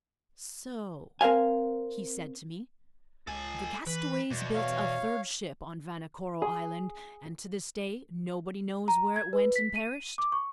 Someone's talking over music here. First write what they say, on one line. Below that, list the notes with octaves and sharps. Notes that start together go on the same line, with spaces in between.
"So," he said to me, "the castaways built a third ship on Vanikoro Island, and to this day, nobody knows where it went and perished?"
C4 A#4 C5 F5 G#5
C#2 A4 G#5
E3 B4
E2 B2
C#5 F5
G#4
A#5
G#6
B4
B6
D#7
D6
C#6